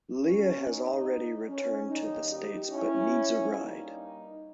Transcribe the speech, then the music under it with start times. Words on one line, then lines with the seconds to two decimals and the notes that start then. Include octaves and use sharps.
Leah has already returned to the States but needs a ride.
0.22 D#2 D#3 A#3 C#4
0.63 D#4
1.47 C#4
1.89 D#2 D#3 G3 A#3 D#4
2.30 D#4 G4
2.72 C#4 E4
3.55 G2 G3 A#3 D#4